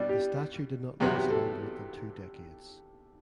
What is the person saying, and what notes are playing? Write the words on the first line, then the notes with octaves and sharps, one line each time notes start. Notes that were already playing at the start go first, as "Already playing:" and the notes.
The statue did not last longer than two decades.
Already playing: B2 G3 D4 D5
G4
E2 C3 F#3 B3 F#4 G4
G4
A4